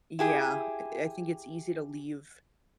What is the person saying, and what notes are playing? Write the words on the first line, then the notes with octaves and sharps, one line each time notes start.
Yeah, eh I think it's easy to leave
E4 G4 G#4